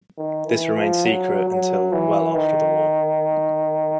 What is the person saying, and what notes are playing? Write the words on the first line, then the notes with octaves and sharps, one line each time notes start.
This remained secret until well after the war.
D#3
E3
F3
F#3
F#3
E3
D#3